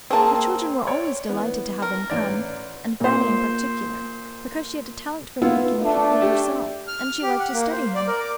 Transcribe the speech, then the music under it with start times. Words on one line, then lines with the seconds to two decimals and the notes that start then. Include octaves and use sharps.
The children were always delighted to have him come, and Fanny in particular, because she had a talent for mimicking people herself, and she liked to study him.
0.11 A#3 C4 G#4 A5
0.86 C#5 D5
1.29 E3 B3
1.82 A#4
2.10 A1 D5
3.00 A#2 C5
5.42 B3 E4 F4
5.80 A3 D4
6.22 G4
6.88 F6
7.23 G4
7.39 F#5
7.54 A#3
7.72 C5
7.95 D5
8.07 A#4
8.20 D6